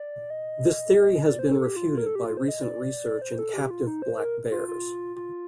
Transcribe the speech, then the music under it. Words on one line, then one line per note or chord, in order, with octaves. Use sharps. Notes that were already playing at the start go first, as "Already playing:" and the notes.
This theory has been refuted by recent research in captive black bears.
Already playing: D5
D#5
D5
C5
A4
G4
F4
A#4
A4
G4
F4
C5
D#5
D5
C5
A4
G4
F4
D#4
C5
A#4
F4
F4
F4